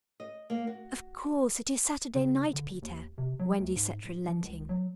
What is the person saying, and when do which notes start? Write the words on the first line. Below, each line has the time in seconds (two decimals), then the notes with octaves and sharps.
'Of course it is Saturday night, Peter,' Wendy said, relenting.
0.20 D#5
0.50 A#3
0.67 F#4
2.14 C#3
2.53 D3
2.69 F#1
2.82 D#2
3.18 C3
3.39 F#3
3.60 D2
3.75 G#2
4.04 D1
4.27 F3
4.44 C#2
4.69 F#3